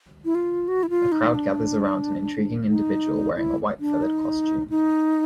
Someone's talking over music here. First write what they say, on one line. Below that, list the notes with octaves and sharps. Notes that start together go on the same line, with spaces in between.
A crowd gathers around an intriguing individual wearing a white feathered costume.
E4
F4
F#4
E4
F4
D#4
D4
D#4
E4
D4
D#4
D#4